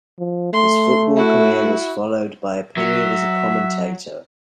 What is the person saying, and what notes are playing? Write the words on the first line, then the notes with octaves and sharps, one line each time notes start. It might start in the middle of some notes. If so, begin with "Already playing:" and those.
His football career was followed by a period as a commentator.
F3
A3 C6
E4 F#4
F#3 E5